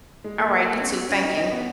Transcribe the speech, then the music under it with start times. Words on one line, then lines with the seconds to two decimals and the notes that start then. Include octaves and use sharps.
All right, you too. Thank you
0.24 G#3
0.39 A#3
0.73 B3
0.80 C#4
0.90 B3
1.09 C#4
1.23 D#4
1.37 D#4
1.51 B3